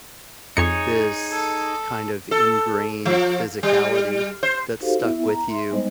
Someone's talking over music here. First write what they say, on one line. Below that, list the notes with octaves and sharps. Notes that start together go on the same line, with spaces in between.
this, kind of, ingrained physicality that stuck with you
F2 D#4 G#4 C#5 C#7
A4
A4
F3
G3
C5
D#4 F#4 G4 A4 C5 F5
B3 E4 E5
A#5
E5 C6
G3 G#3 B3 D#4 C5 D#5